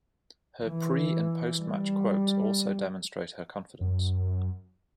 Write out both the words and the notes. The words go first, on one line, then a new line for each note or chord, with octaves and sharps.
Her pre- and post-match quotes also demonstrate her confidence.
E3
G3
F#2